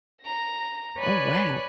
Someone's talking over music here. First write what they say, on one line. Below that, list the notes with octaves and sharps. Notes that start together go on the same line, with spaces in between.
Oh, wow.
A#5 A#6
B4 C#5 D5 G#5 B5 F#6